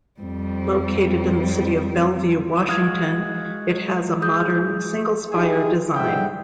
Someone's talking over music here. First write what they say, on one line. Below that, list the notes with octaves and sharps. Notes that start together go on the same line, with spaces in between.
Located in the city of Bellevue, Washington, it has a modern single-spire design.
F2 G3
G#3 F#4 F5 D#6 G#6
G#4 D#6 G6
D#4 E4 G4 G#4
G#2 D3 G3 E5 F#5 G5